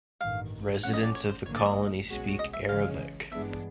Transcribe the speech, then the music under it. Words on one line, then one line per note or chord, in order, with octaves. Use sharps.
Residents of the Colony speak Arabic.
A1 G2 D#3 F5
A#2 F3 A3 C#4 F#4 F#5
D#5
D5
C#5
C5
A1 G2 D3 F#3 A#3 C#5
D5
D#5
C2 B2 G#3 C#4 F#4
D#5
E5
C#3 E3 G#3 C#4 F5
G2 E3 G#3 B3 D4 E5